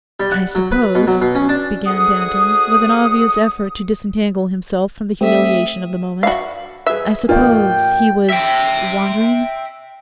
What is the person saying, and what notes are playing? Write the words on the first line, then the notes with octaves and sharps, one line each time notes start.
'I suppose,' began Danton, with an obvious effort to disentangle himself from the humiliation of the moment, 'I suppose he was--wandering?'
G3
F#5
F#3
B4
B2
F#3
B2
C#4
D4
D2 G#4 F#5 D#6
A3 C4 G4 E5 D#6
F#4 D5 E5 F5 B5
G#4 B4 E5
A1 A#3 F4 G5
E5 G5